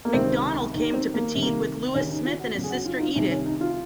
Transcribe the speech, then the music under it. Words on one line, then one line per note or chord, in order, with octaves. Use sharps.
MacDonald came to Petite with Lewis Smith and his sister Edith.
A#3
C#2 C3 D#3 C4
D#2 D#3
C4
A#3
C2 C3 D#3
A#3
D#2 C#3 C#4
D#4
F4
F#4
F#2 C#3
G#4
F#4
F4
D#4
F4
C2 C3 D#3 D#4
C#4
D#4
F4